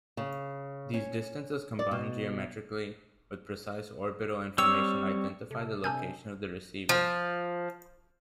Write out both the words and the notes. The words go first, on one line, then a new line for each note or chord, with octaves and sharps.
These distances combined geometrically with precise orbital information identify the location of the receiver.
C#3
C#4
D5
B2
G3 C4 C#5 E6
C3 A4
C3 C4 D4 G#5 A5 E6 G6
F3